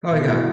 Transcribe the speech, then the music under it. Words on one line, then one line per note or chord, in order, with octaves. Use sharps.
Oh, yeah.
B2
B2 E4 F#4